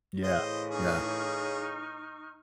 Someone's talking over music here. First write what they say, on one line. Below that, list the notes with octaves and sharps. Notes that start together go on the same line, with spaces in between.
Yeah, yeah.
A2 C#3 E3 C5 D#5
D#4 G#4 C#6 F6